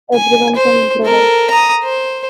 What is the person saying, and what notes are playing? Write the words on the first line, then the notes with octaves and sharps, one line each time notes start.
Everyone can improvise.
G#5
C5
A4 A#4
A#5 D#6
C5